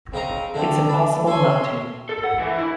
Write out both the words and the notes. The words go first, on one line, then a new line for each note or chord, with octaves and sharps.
It's impossible not to.
C#3 C4 D#5 A#5
D3 A3 C4 D4 A4
B5
A4 C#5 G#5 C6
A4
F#5
E3
E4